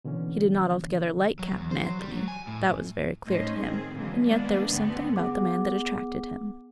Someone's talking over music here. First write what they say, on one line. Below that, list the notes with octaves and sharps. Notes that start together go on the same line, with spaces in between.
He did not altogether like Captain Anthony--that was very clear to him, and yet there was something about the man that attracted him.
B2 D3 E3 A#3 C#4
F#3
E2
C5
F#3
G3
F#3
G#5
A2
A2 C#4 D#4 C5 D#5
D#3 C4 G#4
A#2 D3 E3 F#3 G#3 A#3
E3 G#3 A#3 B3 D4
D2 G2 D3 B3 C4 D4
B3 G#4 F#5 D6